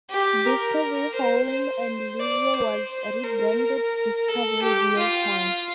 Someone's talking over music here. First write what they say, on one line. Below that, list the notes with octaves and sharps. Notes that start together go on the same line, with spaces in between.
Discovery Home and Leisure was rebranded Discovery Real Time.
G4
A#4
C5
C5
D5
C5
A#4
A4
G4
F4